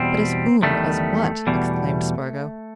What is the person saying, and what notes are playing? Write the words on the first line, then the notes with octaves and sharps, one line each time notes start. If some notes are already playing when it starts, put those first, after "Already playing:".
"But as whom--as what?" exclaimed Spargo.
Already playing: E2 B2 G3 C4
E2 D#3 G3 A3
E2 B2 G3